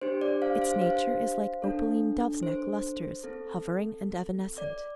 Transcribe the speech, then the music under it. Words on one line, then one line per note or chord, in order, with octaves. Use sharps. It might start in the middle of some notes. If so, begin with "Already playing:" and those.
Its nature is like opaline doves'-neck lustres, hovering and evanescent.
D4 G4 C5
D5
C5 F5
C5 F5
C5 F5
D4 A4
C5
C4 A4
D5